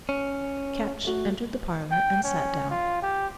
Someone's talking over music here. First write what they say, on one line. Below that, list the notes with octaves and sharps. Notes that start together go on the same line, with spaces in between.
Ketch entered the parlour, and sat down.
C#4
A3 F#4
G5
C#4
F4
G4